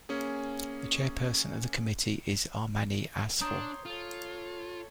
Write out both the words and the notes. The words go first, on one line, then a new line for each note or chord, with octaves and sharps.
The Chairperson of the Committee is Armany Asfour.
A#3 C#4 G#4
D4 C#5 A#5 C6 D#6 G6
F4 A4 C#5